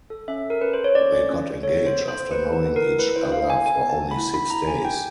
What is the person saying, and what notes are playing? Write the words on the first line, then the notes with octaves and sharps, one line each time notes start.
They got engaged after knowing each other for only six days.
A4
C#4 E5
A4
A#4
C#4 B4
C5
A4
C#5
C#4 D5
C#4
C#4
C#4
A4 C#5
B3
C5
B3
C5
A4
B3 B4
A4
B4
B3
A#4
E4
E4 B4
E4 C5
E4 F5
B3 G#5
A4 G#5
B3
A5
B3
B5
E4
B3 B5
E4 A#5
G4 G#5
G4 G5